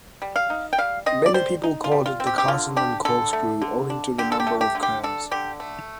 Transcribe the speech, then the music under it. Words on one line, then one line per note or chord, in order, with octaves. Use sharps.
Many people called it "The Castleman Corkscrew" owing to the number of curves.
G3
F5
D#4
G5
G3 F5
C4 D#5
D5
G3 C5
D#4
F4
G3
F4
C4
G4
G4
D3 F4
D4 G4
D3 A4
A3
D3
D4
D3 G4
A4
G4
A3
G4
D3
G4
D4 A4
D3 G4
A3